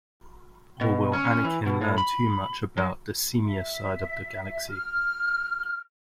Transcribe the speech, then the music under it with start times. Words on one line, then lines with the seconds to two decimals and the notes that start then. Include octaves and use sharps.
Or will Anakin learn too much about the seamier side of the galaxy?
0.81 B2
1.13 C#4
1.44 E3
1.66 B2
1.81 A2
1.98 B5
2.78 F#3
3.45 E5
4.69 F6